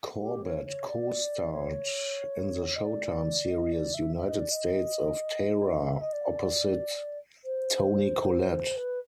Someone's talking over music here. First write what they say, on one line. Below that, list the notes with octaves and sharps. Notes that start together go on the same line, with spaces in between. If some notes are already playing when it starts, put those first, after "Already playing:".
Corbett co-starred in the Showtime series "United States of Tara" opposite Toni Collette.
G4
C#5
C#5
D5
C#5
D#5
D5
D#5
D5
E5
E5
D#5
D5
D#5
E5
D#5
D5
C5
B4